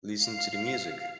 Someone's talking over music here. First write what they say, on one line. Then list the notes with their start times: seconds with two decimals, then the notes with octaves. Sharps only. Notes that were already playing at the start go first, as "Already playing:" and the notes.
Listen to the music...
0.22 F5